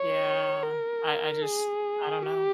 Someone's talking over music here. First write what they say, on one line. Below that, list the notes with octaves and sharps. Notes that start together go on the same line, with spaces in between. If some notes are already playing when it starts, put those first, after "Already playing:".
Yeah. I I just I don't know.
Already playing: C#5
A#4
G#4
G4